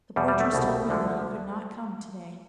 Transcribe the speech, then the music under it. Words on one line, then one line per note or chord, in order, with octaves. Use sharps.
"The portress told me that he could not come to-day."
E2 B2 G3
G3
A3
C2 B2
D2 D3 F3